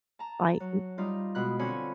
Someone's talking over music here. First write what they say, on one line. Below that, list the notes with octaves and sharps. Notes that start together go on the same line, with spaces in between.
like, m
A5 A#5
F#3
G3 D#4 F4
B2 G#3 B5 F#6
D3 C4 F4 C#5 G#5 B5